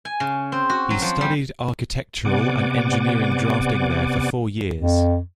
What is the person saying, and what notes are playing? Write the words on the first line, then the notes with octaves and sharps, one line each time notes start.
He studied architectural and engineering drafting there for four years.
G#5
C#3
C4
F#4
F#3
F3
G3
C3 B3 D5 F#5 G#5 D6
F2